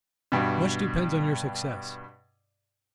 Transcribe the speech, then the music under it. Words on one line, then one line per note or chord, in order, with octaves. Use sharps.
Much depends on your success.
G2 B2